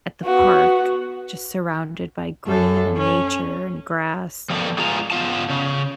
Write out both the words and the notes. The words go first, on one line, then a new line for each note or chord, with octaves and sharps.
at the park just surrounded by green and nature and grass.
B3 F#4
F#2 A4
C#4
F3 G3 A#3 B3 A4
G#3 B3 F4 G#4 A#5
B3 F4 F5 A5
C#3